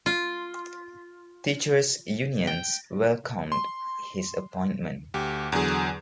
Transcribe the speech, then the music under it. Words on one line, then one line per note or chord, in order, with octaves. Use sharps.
Teachers unions welcomed his appointment.
F4
G5
C6
D2 G4
E2 D3 F#3 G#4